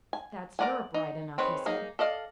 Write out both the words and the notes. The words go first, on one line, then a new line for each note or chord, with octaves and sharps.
"That's Europe, right enough," he said.
G#5
A#4 B4 D5 F#5 G#5
D#4
D#3 C4 G#4 B4 C#5
A#3 D#4 G#4
A4 D5 D#5 F5